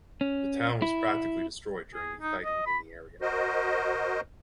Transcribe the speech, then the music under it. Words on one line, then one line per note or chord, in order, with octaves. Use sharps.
The town was practically destroyed during the fighting in the area.
C#4
E4
G#4
D#4
D#5
B5
F#4 A#4 C5 D#5